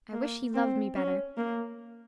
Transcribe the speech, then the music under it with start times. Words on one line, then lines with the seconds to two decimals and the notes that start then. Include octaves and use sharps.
"I wish he loved me better."
0.12 A#3
0.54 C4
0.95 C#4
1.37 A#3